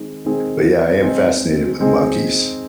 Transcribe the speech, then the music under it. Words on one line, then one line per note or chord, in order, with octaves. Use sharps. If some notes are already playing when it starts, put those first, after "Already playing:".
but, yeah, I am fascinated with monkeys.
Already playing: D#3 G#3 C4 D#4
D#3 G#3 C4 D#4 G#4
G#3 C4 D#4 G#4
G#3 C4 D#4 G#4